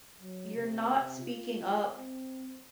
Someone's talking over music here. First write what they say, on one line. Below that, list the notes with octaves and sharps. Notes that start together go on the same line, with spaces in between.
you're not speaking up
F#3
C3
F4
C4